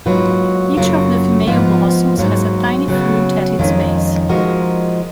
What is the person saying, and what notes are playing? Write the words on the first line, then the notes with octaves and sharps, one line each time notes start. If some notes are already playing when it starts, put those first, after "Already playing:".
Each of the female blossoms has a tiny fruit at its base.
G#2 F#3 A#3 F4 B4
F#2 C#3 F#3 A#3 F4
G#2 F3 B3 F4
G#2 F#3 A#3
C#3 F#3 B3
F2 D#3 G#3 C#4
F3 G#3 D#4 F#4 A#4